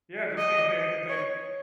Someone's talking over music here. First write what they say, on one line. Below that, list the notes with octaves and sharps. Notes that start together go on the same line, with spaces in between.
Yeah, just think if they ha if they
D#5
C#5